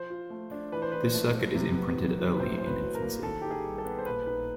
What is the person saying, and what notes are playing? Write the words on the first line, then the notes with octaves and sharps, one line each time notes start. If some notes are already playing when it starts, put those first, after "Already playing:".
This circuit is imprinted early in infancy.
Already playing: F3 C5
F4
A3
D4
E3 B4
C5
E3 B4
A3
C4
C3
B3
D#3
F#3
B4
A2 C5
C#4 C5
B4
F#3
A#4
A#3
D#3 A4
D#4 G4
G#4
G3
A4
B3
C5
A#2 B4
D#4 B4